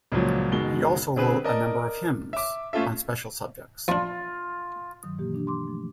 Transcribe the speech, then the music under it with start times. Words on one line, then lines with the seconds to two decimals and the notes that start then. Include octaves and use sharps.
He also wrote a number of hymns, on special subjects.
0.12 C#2 A#2 F3 F#3
0.52 F#1 B2 D#3 G#3 G7
1.16 D3 C4 G#4 B4
1.44 A#4 D5 D#5 A5
2.33 E5 D6
2.73 A3 C#4 F4 A4 E5
3.88 F3 D4 F4
5.03 G2 D#3 F#3 D#6
5.18 B2 E3 A#3 G4
5.35 D4 G4
5.47 C6 D6
5.64 F3 A3
5.79 D4